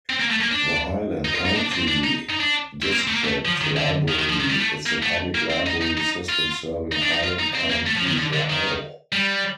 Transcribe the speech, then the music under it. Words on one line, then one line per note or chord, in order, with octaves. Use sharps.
The Highland County District Library is the public library system serving Highland County, Ohio.
C4
A#3
A3
A#3
D4
D#4
F4
D#4
D4
C4
D4
D#4
D#4
D4
C4
A#3
C4
A3
A#3
A3
F3
D#3
D3
D#3
D#3
F3
D#3
G3
A3
A#3
A3
A#3
C4
D#4
D#4
D#4
F4
D#4
D4
D#4
F4
D#4
C4
A#3
A3
F3
D#3
D3
D3
D#3
G3